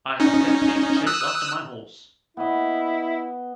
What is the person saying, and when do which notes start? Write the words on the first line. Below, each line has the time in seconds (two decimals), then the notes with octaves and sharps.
I have left you to chase after my horse.
0.20 C#4 D#4
1.07 D#6 E6 F#6
2.37 B3 E4 D#5